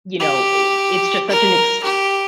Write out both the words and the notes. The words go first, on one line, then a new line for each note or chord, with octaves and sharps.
You know, i it's just such an ex
G4
A#4
G4